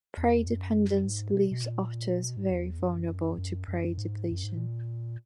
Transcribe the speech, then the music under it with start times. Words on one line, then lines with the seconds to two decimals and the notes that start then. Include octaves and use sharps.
Prey-dependence leaves otters very vulnerable to prey depletion.
0.17 E2
0.47 F#2
1.05 G#2
1.34 B2
1.51 B2
1.63 A#2
2.22 B2
2.37 G#2
2.51 E2
2.79 F#2
3.38 F#2
3.68 F#2
3.97 G#2
4.32 F#2
4.44 G#2
4.56 A#2